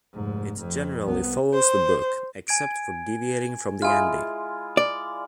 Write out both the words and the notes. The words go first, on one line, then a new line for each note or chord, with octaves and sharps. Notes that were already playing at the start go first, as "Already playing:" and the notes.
It generally follows the book, except for deviating from the ending.
F1 G#2
F2
C2 B3
C5
G#5 G#6 D7
G#3 E4 F4 G#5 F6
D5